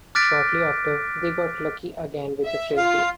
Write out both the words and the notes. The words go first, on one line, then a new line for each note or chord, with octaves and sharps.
Shortly after, they got lucky again with the Frisbee.
D6 F6 F#6 A6 B6 D7
E5
F4 F5